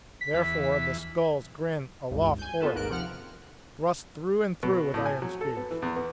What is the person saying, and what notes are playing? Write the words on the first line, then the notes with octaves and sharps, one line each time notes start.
Therefore the skulls grin aloft horribly, thrust through and through with iron spears.
B6
E2 E3
G#1 C#2 G2
G#5 G6
B3 F4 A4 B4
G#1 D#2 G#2 A#4 F#6 D7
C3 F3 F#5 F6
B2
A2
G#5
F#3
A4
B3
E3
E2
B3